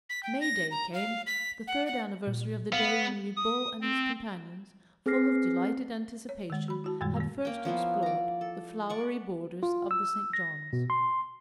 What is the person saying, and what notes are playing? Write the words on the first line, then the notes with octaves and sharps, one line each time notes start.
May-day came, the third anniversary of the day when Ribaut and his companions, full of delighted anticipation, had first explored the flowery borders of the St. John's.
B6
G5
A#6
A#5
F5
B6
F#5
F#5
A#2
B3 F5
D#6
C4
C4 G#4 B4 F6 A#6 C7
C#5
D#3 G#3
F#4 B5
E4 F#4 A5
F#2 A#2 D#3 G3 G#3
D#3 A#3
A#3 C#4 G5
F3 A#3 B3 E4
D5 A#5
A4
D5 F#5 C#6
F4
E6
A#6
B2
C6